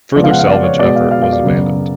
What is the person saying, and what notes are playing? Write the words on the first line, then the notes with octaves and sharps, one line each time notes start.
Further salvage effort was abandoned.
C#3 F3 G#3 B3 D5
F5
F#5
F5
D5
C#5
B2 G#3 B3 D5
F5
F5
F5
D5
F#2 C#3 F#3 B3